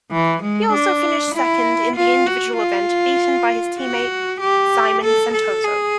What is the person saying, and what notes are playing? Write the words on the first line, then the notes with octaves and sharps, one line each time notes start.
He also finished second in the individual event, beaten by his teammate Simon Santoso.
E3
G#3
D4
E4
F4
F#4
F4
F#4
G4
A4
A4
G#4